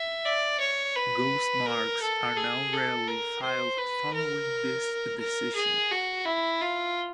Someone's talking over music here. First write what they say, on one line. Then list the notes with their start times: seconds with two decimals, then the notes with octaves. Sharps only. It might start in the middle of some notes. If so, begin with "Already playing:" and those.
Ghost marks are now rarely filed following this decision.
Already playing: E5
0.25 D5
0.60 C#5
0.95 B4
1.66 A#4
2.02 A4
2.37 G#4
2.73 A4
3.08 A#4
3.43 C5
3.78 B4
4.14 A#4
5.20 A#4
5.55 G#4
5.91 F#4
6.26 E4
6.61 F4